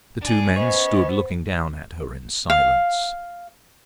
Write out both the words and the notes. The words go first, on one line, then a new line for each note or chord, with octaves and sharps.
The two men stood looking down at her in silence.
D4 G#4
B3 C#4 C5 C#5 D#5
F5